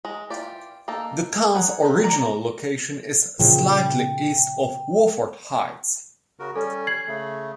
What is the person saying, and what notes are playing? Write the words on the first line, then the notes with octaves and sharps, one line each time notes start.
The town's original location is slightly east of Wofford Heights.
G#3 D#5
E3 F3 F4 G4 D5
A#3 D4 D#4 A4
G#4 A#4 B4 F#5 G#5
B3 C4 D#4
A#4 D5 A#5
A#2 C#3 F3 G5
C#3 F#4 A#4
G3 C#4 A4
G#6 C7 F#7
C#3 A3